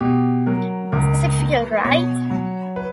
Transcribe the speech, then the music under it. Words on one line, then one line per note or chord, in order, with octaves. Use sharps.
Does it feel right?
B2 G4
F#3 A#4
C#2 A#4
A#4
A#3
B4
B2 C#5
F#3
B4